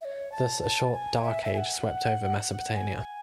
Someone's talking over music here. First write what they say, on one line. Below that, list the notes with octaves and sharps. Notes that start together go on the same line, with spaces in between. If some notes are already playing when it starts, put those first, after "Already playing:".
Thus, a short "dark age" swept over Mesopotamia.
E5
C#5
A5
A5
G#5
E5
E5
G#5
F#5
G#5